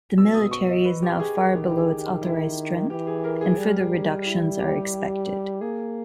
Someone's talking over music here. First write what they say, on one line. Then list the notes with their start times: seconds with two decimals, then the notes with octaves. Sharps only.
The military is now far below its authorized strength, and further reductions are expected.
0.17 B2 E6
0.34 D#6
0.51 C#6
0.69 D#5
0.85 B4
1.03 G4
1.20 G#4
1.37 A#4
1.54 D#3 G4
1.71 G4
1.77 G#4
1.98 G4
2.22 E4
2.90 E3 G4
3.07 G#4
3.24 A#4
3.41 G#4
3.58 G3
4.25 E4
4.59 G4
5.61 A#3 G#4